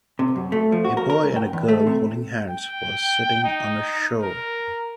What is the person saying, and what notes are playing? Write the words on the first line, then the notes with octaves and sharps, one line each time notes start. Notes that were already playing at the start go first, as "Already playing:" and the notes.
A boy and a girl holding hands while sitting on a shore.
C3
F#2
A3
F3
F#4
A#4
A#4
C#2
G5
E2
A3
C3
G5
D#4
A#4